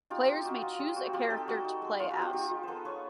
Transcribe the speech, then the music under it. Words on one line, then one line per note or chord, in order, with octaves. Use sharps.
Players may choose a character to play as.
D#4 F4 G4
C4 F4 G4
D#4 F#4
D#4 F4
G3 F4
C4 F#4
C4 F4 G4
D#4 G4 A4
G3 F#4
D#4
G#3
B3 F4
F#4
B3
F4 G4
D#4 F4 G4
G#3
B3 A4 B4 C5
B3 B4 C#5